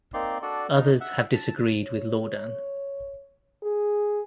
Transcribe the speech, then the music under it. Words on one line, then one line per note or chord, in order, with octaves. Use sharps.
Others have disagreed with Laudan.
A#3 C4 D#4 D5 C6
D4 F#4 A4 D5
D#4
E5 F#5
A5
C#5
G#4